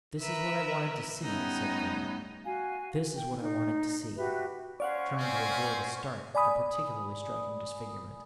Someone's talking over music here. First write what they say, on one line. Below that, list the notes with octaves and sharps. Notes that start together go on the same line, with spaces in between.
"This is what I wanted to see," said Graham; "this is what I wanted to see," trying to avoid a start at a particularly striking disfigurement.
A#4 B4 E5
G3 A3 B3 C#4 D#4
F#4 F5 G#5
G5
D#4
F#4 G4 B4 E5
C#4 C5 D5 F5 F#5 C#6
C4 G#5
D5 G#5 B5 D#6